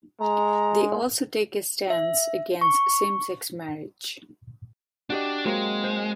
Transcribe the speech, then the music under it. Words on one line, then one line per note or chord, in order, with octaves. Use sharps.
They also take a stance against same-sex marriage.
G#3 A#5
E5
C#6
D4 F#4 G4 D#5
F#3 G#3 A#3 C4
C5